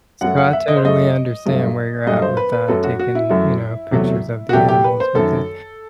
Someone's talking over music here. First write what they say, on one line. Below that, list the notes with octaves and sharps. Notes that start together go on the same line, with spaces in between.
so, I totally understand where you're at with, uh, taking, you know, pictures of the animals with it,
F#2 F#3 A3 F#5
F#5
E5
D#5
C5
F#2 F#3 A3 D#5
G2 F#3 A3
G2 F#3 A3 D#5
C5
B4
B4
F#2 F#3 A3 A4
F#4
F#4
E4
F#2 F#3 A3
E2 C3 F#3 A3
F#4
E2 C3 F#3 A3 G4
G4
B4
C5
F#2 D#3 A3 A4